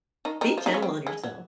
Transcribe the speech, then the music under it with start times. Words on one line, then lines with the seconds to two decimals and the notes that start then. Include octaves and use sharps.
be gentle on yourself.
0.25 D#3 D#4
0.41 D#3 D#4
0.58 F3 F4
0.66 D#3 D#4
0.74 C#3 C#4
0.82 C4
1.07 G#3
1.23 F#3